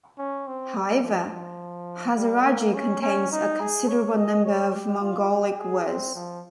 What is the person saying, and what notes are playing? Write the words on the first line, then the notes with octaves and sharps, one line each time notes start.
However, Hazaragi contains a considerable number of Mongolic words.
C#4
C4
G3
F3
F3
G3
A#3
C#4
C#4
D#4
G#4
C#5
D#5
C#5
G4
F4
G4
G#4
C4
F3